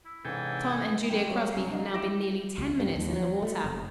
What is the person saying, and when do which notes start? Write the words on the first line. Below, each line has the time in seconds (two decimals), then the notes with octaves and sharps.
Tom and Julia Crosby had now been nearly ten minutes in the water.
0.05 E4
0.25 G#2 C3 E3 C#4 G#4 A4 G5
0.70 G#5
1.10 G3 G#3 G5
1.30 G3 A#3 F#4 C#5 E5
1.52 C2 C#4 C7
1.71 D4 D#5 F5 A#5
1.93 E4 G4 D6 A#6 D7 E7
2.58 C#2
2.80 G2
2.96 D#2
3.13 F#3
3.42 A3
3.64 F#1